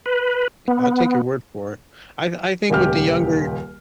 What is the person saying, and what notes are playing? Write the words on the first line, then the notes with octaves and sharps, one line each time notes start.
I'll take your word for it. I I think with the younger
B4
B3
D#1 C#2 G4 F6